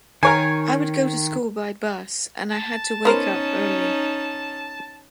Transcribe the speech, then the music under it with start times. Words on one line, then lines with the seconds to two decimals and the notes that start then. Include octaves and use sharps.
I would go to school by bus and I had to wake up early.
0.23 D#3 A#4 C#5 G#5
2.51 A5
3.05 B3 C#4 D#4 A#4 C5